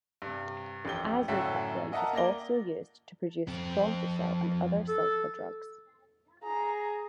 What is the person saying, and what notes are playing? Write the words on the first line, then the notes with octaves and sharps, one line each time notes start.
Azo coupling is also used to produce prontosil and other sulfa drugs.
G2 C3
A1 F2 G4 G7
F#2 A2 D3 E5 B6
A#4 D#5 E5 F#5 A5 A#5
A#3 D5 A#6 G7
F2 C4
A4
G#4 A#5